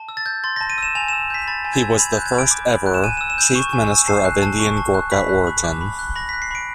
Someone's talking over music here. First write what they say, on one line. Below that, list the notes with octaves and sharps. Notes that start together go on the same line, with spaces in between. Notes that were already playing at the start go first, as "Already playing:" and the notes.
He was the first ever Chief Minister of Indian Gorkha origin.
Already playing: A5
E6
A6
G6
C6 A6
A#6
A5
D#7
E6 E7
G#5 F7
E7
E6
G6 B6
B5 A6
G#5
G#6
E6
B5 G#6
G6
F#6
G#6
B5 D7
D6
B5
F#6
E7
G#5 D#7
E7
E6
E7
G6
C#6
G#5
E6
A5 C7
F#6
A5
C#6
A5
F#6
B5 B6
F#6
B5
D6
B5
F#6
B5 A#6
B6
F#6
C7
B5 D7